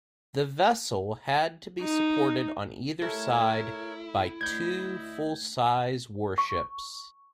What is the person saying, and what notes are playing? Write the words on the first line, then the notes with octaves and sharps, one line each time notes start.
The vessel had to be supported on either side by two full-size warships.
D#4
A3 E4 A4 A#4 C#5
D2 D#5 G6 G#6
C#6